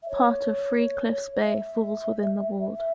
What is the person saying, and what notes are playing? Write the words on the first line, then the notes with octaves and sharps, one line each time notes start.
Part of Three Cliffs Bay falls within the ward.
E5
C#5
E5
E5